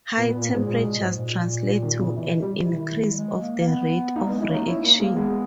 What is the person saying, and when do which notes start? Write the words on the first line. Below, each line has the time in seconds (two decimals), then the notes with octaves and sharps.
High temperatures translate to an increase of the rate of reaction.
0.17 A#2 B3
0.29 B3
0.33 A#2
0.42 A#3
0.49 G#2 G#3
0.66 A#2
0.84 B2
1.00 G#2
1.17 A#2
1.66 G3
1.83 D#3
1.99 C#3
2.16 B2 E3
2.42 G3
2.66 D#3 E4
3.12 G3
3.17 G#3
3.41 A#3
3.59 A#3
3.67 B3
4.16 A#3 D#4
4.26 G3
4.28 B3
4.33 G#3
4.41 E4
4.50 A#3 C#4 D#4
4.67 C#4 E4
4.84 A#3
4.99 G#3 A#3
5.16 G#3 B3